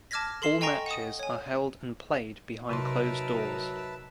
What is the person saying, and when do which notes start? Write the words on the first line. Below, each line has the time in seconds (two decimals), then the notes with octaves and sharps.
All matches are held and played behind closed doors.
0.11 A5 D6 F6 G#6 A#6 B6
0.42 A4 C6 C7 E7
0.61 D#5 G5 G#5 A#5 C#6 A#6
0.86 F#5 D#6
1.19 C#5 G#5
2.69 C3 F#3 D#4 A#4 B4 E5 A5 C6